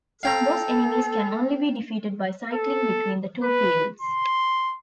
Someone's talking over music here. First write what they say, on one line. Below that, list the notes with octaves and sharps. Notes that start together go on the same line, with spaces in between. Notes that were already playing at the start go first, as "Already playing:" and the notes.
Some boss enemies can only be defeated by cycling between the two fields.
A4 F5 G5 A#5
A4
B4
C6